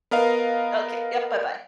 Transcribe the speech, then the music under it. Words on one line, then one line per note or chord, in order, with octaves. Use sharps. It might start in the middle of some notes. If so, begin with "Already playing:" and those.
Okay, yep, bye-bye.
B3 A#4 D#5 F5